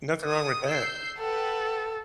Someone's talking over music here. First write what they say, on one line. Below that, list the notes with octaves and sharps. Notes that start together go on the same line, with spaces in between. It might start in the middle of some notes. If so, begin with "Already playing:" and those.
Nothing wrong with that.
D#6
E6 G6 C7
A4 B4 F#5 G5